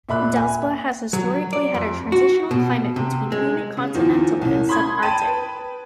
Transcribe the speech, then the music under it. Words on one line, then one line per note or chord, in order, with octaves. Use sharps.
Delsbo has historically had a transitional climate between humid continental and subarctic.
A#2 E5 B5 F#6
G#5
F#3
D5
F2
F#4
B2
C3
G#3
C#3
E2 D#3 F3
C2 C#4
B5 C6 D#6 G#6
G5 A5 B5 D#7
B4